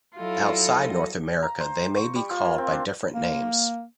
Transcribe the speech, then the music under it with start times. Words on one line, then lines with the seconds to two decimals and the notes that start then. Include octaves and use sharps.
Outside North America they may be called by different names.
0.16 F#3 E4 F4 A4 D#5
1.42 A#5
1.60 C5
1.96 C#6
2.15 G3
2.30 F4
2.45 A#3
2.58 C4
2.72 D4
3.14 A#3